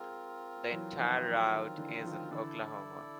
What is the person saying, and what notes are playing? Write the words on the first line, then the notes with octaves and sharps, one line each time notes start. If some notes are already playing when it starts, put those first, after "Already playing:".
The entire route is in Oklahoma.
Already playing: G#3 C4 F4 A#4
E3 F#3
D#3 F3
E3 F#3
D#3
D3 E3
D#3 F3
D3 E3 E4 A4 D5